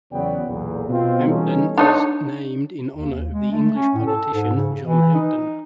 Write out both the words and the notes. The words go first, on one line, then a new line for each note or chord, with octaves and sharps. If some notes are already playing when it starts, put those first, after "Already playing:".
Hampden is named in honor of the English politician John Hampden.
E2 C#3 F#3 B3 D5 G5
B1 E2 A#2
B2 C4 F4
E3 G3 B3 C#4 D#4 A4
D4 D#4 C#5
D#2
G#3
A3
C#4
A2
A4
G#2
C#3
E3
D#4